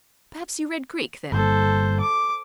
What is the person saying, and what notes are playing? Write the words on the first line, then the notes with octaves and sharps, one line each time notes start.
Perhaps you read Greek, then?'
G1 G2 A#3 A4 C5
D6